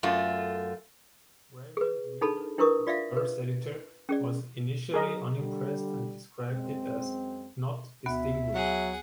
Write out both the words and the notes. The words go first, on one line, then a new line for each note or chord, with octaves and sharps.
Raymond Weaver, its first editor, was initially unimpressed and described it as "not distinguished".
F#2 A3 F4
G#4 B4
D4 D#4 G#4 A4 A5 B5
D4 E4 A#4 B4 C#6 D#6
F4 D5 E5 F5
B4
C#4 G#4 D5
F#3 G#4 A#4 D#5
D3 G3
F#2 G#3 C4
D2 B3 F#4 E5
F#3 G#4 F#5